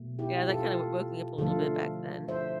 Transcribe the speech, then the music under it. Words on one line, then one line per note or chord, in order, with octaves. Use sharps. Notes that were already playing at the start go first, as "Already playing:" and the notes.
Yeah, that kinda w woke me up a little bit back then.
Already playing: B2 A3
E4 G4
F4 A4
D3 F3 A3 F4 A4
C5 E5